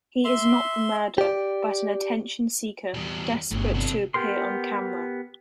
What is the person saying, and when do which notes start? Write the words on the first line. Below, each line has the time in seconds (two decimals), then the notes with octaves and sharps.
He is not the murderer, but an attention seeker desperate to appear on camera.
0.25 E5 C6
1.18 G4 D5
2.94 E2 G3
3.51 G1 A2 C#3
3.74 C3 A4
4.14 B3 G4 A#4 C6